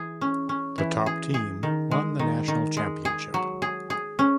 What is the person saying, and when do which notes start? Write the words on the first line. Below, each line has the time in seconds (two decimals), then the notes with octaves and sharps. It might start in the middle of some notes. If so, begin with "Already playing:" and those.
The top team won the national championship.
Already playing: E3 G#4
0.21 C#4
0.49 C#4
0.78 E3
1.06 G#4
1.34 G#4
1.63 D#3
1.91 G#3
2.19 D#3
2.48 D#3
2.77 G#3
3.05 G#4
3.34 F#3
3.62 G#4
3.90 G#4
4.19 C#4